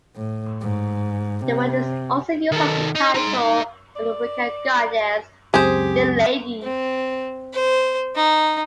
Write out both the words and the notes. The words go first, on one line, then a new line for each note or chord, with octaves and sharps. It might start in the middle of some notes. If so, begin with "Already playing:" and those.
The word is also used as a title of the Wicca goddess, "The Lady".
A2
G#2
C3
D#3 A4
D#4
D#4 C6
D5
C#2 F#2 C4 G4 G#4 C5
C4
C5
D#4